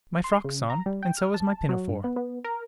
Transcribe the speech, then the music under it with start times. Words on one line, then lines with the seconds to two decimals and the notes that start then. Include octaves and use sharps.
"My frock's on, and so is my pinafore."
0.24 C6
0.44 C#3
0.70 A#5
0.86 G3
1.03 G5
1.17 F6
1.34 A5
1.69 F#3
1.88 G2
2.04 B3
2.16 B3
2.44 A#4